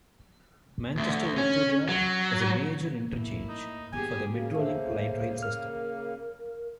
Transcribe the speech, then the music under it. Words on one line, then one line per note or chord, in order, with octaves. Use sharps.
Manchester Victoria is a major interchange for the Metrolink light rail system.
D2
C#4
F#3
A2 A#3 E4
D#4
A#2 B3 G4 G#4 G#5
C#3 A#3 F#4
A4 C5 E5
A#4 F6